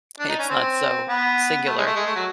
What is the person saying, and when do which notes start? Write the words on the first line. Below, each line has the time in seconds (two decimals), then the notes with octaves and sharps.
It's not so singular.
0.20 D4
0.29 D#4
0.39 C#4
0.50 C4
1.08 B3
1.66 A3
1.77 G#3
1.86 A3
1.96 G#3
2.06 A3
2.15 F#3